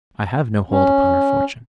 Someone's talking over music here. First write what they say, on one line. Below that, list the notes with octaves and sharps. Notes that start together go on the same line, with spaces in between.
"I have no hold upon her fortune."
C#4